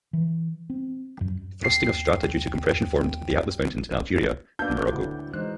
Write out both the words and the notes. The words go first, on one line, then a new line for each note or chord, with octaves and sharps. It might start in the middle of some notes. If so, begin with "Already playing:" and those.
Thrusting of strata due to compression formed the Atlas Mountains in Algeria and Morocco.
E3
C4
F#2
D#2 G5 C7
A#3 D4 F#4 B4 D5 G6
D2 A2
E3 G#3 D#4 C5 F#6